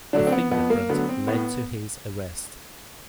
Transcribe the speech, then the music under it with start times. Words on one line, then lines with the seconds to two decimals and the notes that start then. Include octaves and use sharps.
A fingerprint led to his arrest.
0.13 D3 F#3 A3 D4
0.27 C4
0.32 B3
0.51 F2 B3
0.70 A#3
0.89 D3 F#3 A3 B3
1.09 C4
1.27 A2 B3